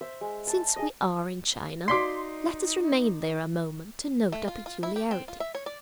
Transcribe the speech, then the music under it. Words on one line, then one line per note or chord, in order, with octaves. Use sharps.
Since we are in China, let us remain there a moment to note a peculiarity.
C5 E5
G#3
A5
G#4 D#5
D#4 F#4 D5 F5 C6 D6 B6 C7
A3
F4
F4
E4
G4
C4
F4
E5
C#5
D5